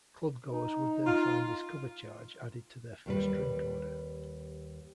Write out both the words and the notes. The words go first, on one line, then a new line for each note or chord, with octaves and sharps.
Clubgoers would then find this cover charge added to their first drink order.
D#4
F4
D#2 G3 B4